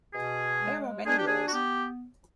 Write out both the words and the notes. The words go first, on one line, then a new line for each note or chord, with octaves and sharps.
There are many laws.
B2 G#4
G#3
D4 G#4
G4
G#4
F#4
B3 G4